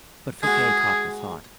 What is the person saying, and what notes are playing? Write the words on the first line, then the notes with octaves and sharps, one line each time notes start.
But Fouquet caught her thought.
G#3 F#4 G#4